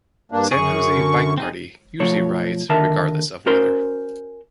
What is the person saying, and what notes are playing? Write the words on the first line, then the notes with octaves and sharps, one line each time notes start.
San Jose Bike Party usually rides regardless of weather.
G2 A#3 D4
F#2 G#4 C#6
D3
C4 D#4 G#4
B1 F3 A3 C#5
D#2 D3 D#3 A#4 E5 A5
C#4 F#4 A#4 C5 C6